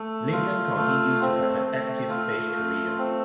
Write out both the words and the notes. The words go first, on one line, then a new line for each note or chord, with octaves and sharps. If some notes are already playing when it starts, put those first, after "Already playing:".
Linden continues to have an active stage career.
Already playing: A3
F4
A3
C4
A3
F4
A3
C4